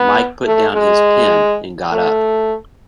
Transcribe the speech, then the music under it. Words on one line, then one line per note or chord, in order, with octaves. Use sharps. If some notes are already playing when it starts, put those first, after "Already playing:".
Mike put down his pen, and got up.
Already playing: B3
A3
G#3
A3